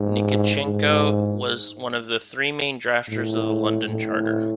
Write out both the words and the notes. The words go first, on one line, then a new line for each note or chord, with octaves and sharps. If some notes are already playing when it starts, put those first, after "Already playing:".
Nikitchenko was one of the three main drafters of the London Charter.
Already playing: G#2
G#2
A2
A2